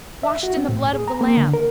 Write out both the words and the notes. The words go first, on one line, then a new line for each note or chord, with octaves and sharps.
Washed in the blood of the Lamb.
E5
F#4
C4
A2
G#4
A#5
A#3
D3
A#4